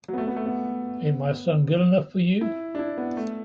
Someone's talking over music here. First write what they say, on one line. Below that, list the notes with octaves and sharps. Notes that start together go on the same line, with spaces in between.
Ain't my son good enough for you?
F#3
B3
A3
B3
A3
B3
E4
D4
E4
B3
A3